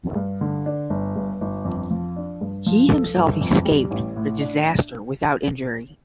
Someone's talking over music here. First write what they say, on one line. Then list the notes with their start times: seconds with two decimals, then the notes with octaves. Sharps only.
He himself escaped the disaster without injury.
0.15 G2
0.41 D3
0.66 D4
0.90 G1
1.16 G2
1.41 G1
1.65 F2
1.91 F3
2.16 D4
2.41 G2
2.66 F3
2.90 A4
3.16 G1
3.41 F2
3.65 G3
3.91 A1
4.16 A2
4.41 D4